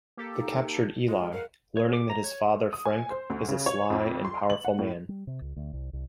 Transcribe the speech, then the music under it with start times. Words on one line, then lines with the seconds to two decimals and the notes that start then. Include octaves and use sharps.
They capture Eli, learning that his father Frank is a sly and powerful man.
0.17 A#3 G4 A4
0.35 D#4
1.08 G#3 F4
1.32 A#4 F5 F#5
1.77 C#5
1.93 D6
2.10 A#5
2.24 C#5
2.73 D#6
2.85 G#5
3.10 C5
3.30 D2
3.49 C#3
3.66 C#5
3.90 F2
4.25 C6
4.50 F#7
4.65 F#5
4.79 A2
5.09 G3
5.27 C3
5.41 C#2
5.56 D2
5.73 C2
5.93 C2